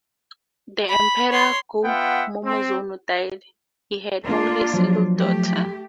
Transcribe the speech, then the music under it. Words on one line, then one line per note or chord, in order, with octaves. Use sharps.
When Emperor Go-Momozono died, he had only a single daughter.
B5
C#5 C6
B3 F4 E5 F#5 G5
C4
A#3 D4 F4
F3 F#3
A3 G4